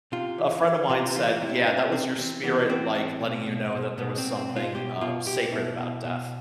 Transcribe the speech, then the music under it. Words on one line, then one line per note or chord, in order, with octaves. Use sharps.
a friend of mine said, "Yeah, that was your spirit, like, letting you know that there was something, uh, sacred about death,
C3 F4
E3
E3
C3 F4
E3 F4
C3 E4
C3 D4
C3 C4
E3 C4
E3 B3
E3 C4
E3 C4
B2
B2
B2
B2 B3
C4
B2
C4
B2
F4
B2 G4
B2 F4
B2 G4
B2 E4
B2
B2